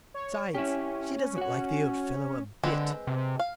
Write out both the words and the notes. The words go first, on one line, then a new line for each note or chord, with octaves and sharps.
Besides, she doesn't like the Old Fellow a bit.
C#5
C#4 E4 G4
F#4 F#5
D3 G#3 C4 B4
C3
F5